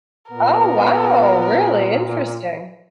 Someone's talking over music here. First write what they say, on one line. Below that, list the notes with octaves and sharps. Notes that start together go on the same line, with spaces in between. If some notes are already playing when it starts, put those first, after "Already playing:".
Oh, wow, really? Interesting.
A#2 B3 A#4